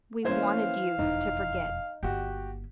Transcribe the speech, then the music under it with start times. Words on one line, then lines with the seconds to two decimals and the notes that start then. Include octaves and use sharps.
"We wanted you to forget."
0.25 E3 A#3 C#4 C5 F5 G#6
0.99 E1 F2 D#4
2.03 G1 A#3 F#4 G4